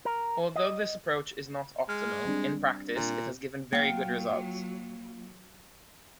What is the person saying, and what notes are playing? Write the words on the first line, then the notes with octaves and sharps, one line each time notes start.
Although this approach is not optimal, in practice it has given very good results.
A#4
D#5
G#3 F6
G3 C4 D4
A#2
F#3 A#3 F4 F#5 G5